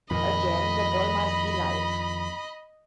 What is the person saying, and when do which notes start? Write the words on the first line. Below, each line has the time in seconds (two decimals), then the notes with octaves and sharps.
Again, the ball must be live.
0.10 F2 A#2 D#3 D#5 B5